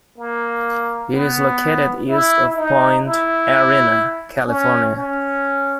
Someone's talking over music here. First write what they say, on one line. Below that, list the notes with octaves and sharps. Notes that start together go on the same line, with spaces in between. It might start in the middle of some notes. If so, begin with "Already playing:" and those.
It is located east of Point Arena, California.
A#3
B3
E4
D#4
E4
C#4
C#4